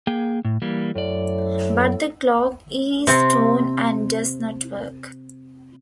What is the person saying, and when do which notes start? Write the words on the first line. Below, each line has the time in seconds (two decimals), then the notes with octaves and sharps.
But the cloak is torn and does not work.
0.07 A#3 G#4 G5
0.45 A2
0.62 E3 G3 A#3
0.95 F#2 A2 D5
3.07 C3 C4